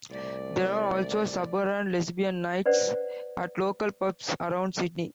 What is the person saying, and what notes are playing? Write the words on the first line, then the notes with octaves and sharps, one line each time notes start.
There are also suburban lesbian nights at local pubs around Sydney.
C2 A3 D5
B4 C5 D5 F#5